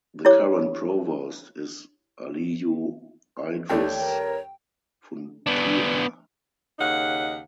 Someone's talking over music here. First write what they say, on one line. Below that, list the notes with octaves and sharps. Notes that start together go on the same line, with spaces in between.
The current Provost is Aliyu Idris Funtua.
E4 G4 C#5 D6
D#2 A3 D4 C#5 G5
G2 A#4
B3 D4
D#2 C#3 D#4 F#5